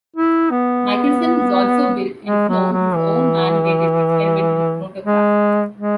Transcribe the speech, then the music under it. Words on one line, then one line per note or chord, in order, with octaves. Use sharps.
Michelson has also built and flown his own man-rated experimental rotorcraft.
E4
B3
G#3
F#3
F#3
E3
G#3
G#3